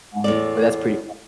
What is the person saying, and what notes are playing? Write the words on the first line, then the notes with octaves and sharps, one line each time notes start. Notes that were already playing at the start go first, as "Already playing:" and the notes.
um, but that's pretty
E2 A2 D5